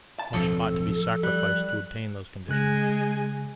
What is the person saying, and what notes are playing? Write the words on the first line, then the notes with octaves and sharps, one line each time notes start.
Much ought to be sacrificed to obtain those conditions.
A5
D1 B1 F2 F3 A4
G3 F#6
C#3 G#3 G#5 F#6 A#6